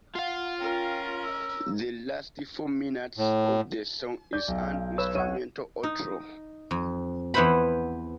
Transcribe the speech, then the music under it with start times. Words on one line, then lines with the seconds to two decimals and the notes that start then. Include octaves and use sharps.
The last four minutes of the song is an instrumental outro.
0.16 F4 F5 F#5
0.59 C#4 A#4 G5
1.24 E6
3.17 A2
4.33 D5 G6
4.48 B1
4.68 F5
4.98 B4 C#5 E6
5.15 B1 C#5 F#5 D#7
5.83 D#4
6.71 F2
7.34 E2 B3 E4 B4 C5 B5